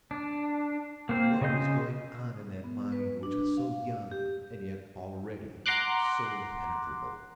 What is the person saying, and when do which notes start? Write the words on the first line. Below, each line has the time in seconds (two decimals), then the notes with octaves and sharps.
What was going on in that mind which was so young and yet already so impenetrable?
0.11 D4
1.09 A#3 C4 C5
1.41 C#3 C#4 D#5 C6 G6
2.64 B3
2.92 B4
3.23 D4
3.57 F5
4.11 G4
5.66 F#5 A#5 C6 D6 F#6